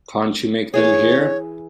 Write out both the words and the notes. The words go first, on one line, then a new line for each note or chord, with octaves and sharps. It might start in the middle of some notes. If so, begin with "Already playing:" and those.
Can't you make them hear?
E3 G#4 C#5